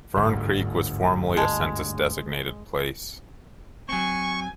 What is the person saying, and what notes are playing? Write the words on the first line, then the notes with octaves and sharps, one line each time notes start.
Fern Creek was formerly a census-designated place.
G1 D2 G#2
G#3 G#5 A5
F#3 C4 G#5 C#6